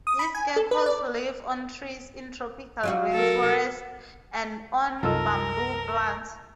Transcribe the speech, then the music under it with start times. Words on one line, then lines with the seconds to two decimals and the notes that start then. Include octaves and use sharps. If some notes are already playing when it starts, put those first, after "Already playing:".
These geckos live on trees in tropical rain forests and on bamboo plants.
0.07 D#6
0.19 B5
0.35 G#5
0.56 A4
0.71 B4
0.86 D5
2.83 F#3 F4 F#4
3.14 A4 A#4
5.03 C2 F#2 D#4 F4 A4 A#4 E6